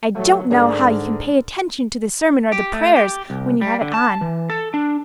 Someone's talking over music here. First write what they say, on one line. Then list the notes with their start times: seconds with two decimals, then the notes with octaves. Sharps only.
I don't know how you can pay attention to the sermon or the prayers when you have it on.
0.15 F#3 A3
0.51 G#2 D3 D4 G#4 A#4
2.52 G4
2.73 A3
2.96 G4
3.30 C2
3.61 G3
3.81 D3
3.94 A5
4.21 E3
4.50 A4
4.74 D4